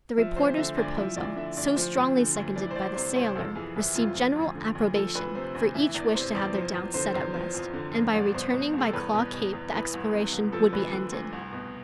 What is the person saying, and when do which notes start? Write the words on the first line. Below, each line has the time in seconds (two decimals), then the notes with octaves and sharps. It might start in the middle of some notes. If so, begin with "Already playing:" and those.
The reporter's proposal, so strongly seconded by the sailor, received general approbation, for each wished to have their doubts set at rest, and by returning by Claw Cape the exploration would be ended.
0.18 F3 E5
0.36 D2 C5
0.57 D3 E5
0.77 D2 D5
0.97 F3 E4
1.16 D2 D5
1.36 D3 E5
1.57 D2 D5
1.76 F3 C5
1.96 D2
2.17 D3
2.36 D2
2.56 E3 D5
2.71 C5
2.75 C2 D5
2.95 C3 C5
3.16 C2 C5
3.36 F2 A4
3.55 E3 G#4
3.76 E3 E4
3.95 F2 F4
4.15 F3
4.36 D2
4.55 D3
4.75 D2
4.95 F3 A4
5.15 D2 B4
5.35 C3 C5
5.55 D2
5.75 E3 E5
5.95 E2 D5
6.14 C3 C5
6.35 E2 D5
6.54 F3 C5
6.74 E2
6.94 D3 C5
7.14 E2 C5
7.34 F3 C5
7.54 F2
7.73 D3
7.94 F2
8.13 C2 D5
8.34 B2 C5
8.53 B2
8.74 C2 G#4
8.86 A4
8.93 E2 B4
9.14 B2
9.34 B2
9.53 E2
9.73 E3 B4
9.94 C2
10.13 C3
10.33 C2
10.52 F3 A4
10.73 D2 B4
10.93 D3 B4
11.12 D2
11.33 C2
11.52 B2